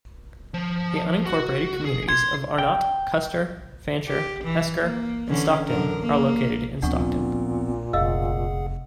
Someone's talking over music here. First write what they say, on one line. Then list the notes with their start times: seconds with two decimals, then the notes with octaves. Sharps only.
The unincorporated communities of Arnott, Custer, Fancher, Esker, and Stockton are located in Stockton.
0.54 F3
1.26 F#4
1.85 G#4
2.09 C6 G#6
2.59 G5
4.07 G4
4.43 E3
4.83 A#3
5.29 D3 E3 C#4
5.67 F#2 D3 A#4
5.99 A#3
6.82 D2 A#2 F3 B3 C4 D4 F#5 C#6
7.93 F1 G#4 D#5 F5 F#5 E6